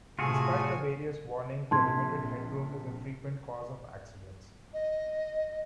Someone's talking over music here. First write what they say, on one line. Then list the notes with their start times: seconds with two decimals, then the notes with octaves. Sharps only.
Despite the various warnings, the limited headroom is a frequent cause of accidents.
0.19 A2 C3 A3 F4 F#4 G#4 G#5
1.71 A#1 C3 A5 C6 G#6
4.74 D#5